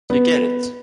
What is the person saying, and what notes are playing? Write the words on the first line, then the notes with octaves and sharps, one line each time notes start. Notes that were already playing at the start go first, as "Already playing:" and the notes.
Do you get it?
B3